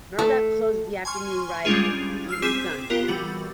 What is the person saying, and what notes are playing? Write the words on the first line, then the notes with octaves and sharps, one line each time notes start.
Murdoch closed the afternoon rival "The Evening Sun".
A3
G#5 C6 C#6 F6
G3 G#3 C#4 D4 F4 G#4
E6 F6 C7
C4 G#4 D6 B6 E7
B3 F4 G4 A#4
E3 G3 F#4 A6